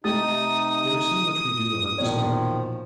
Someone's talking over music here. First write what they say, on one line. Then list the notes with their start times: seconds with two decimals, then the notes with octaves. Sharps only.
There is so much we do not understand.
0.04 C3 A3 D#4 G4 D#6 A6
1.98 A#1 B2 D#3 F3 C#5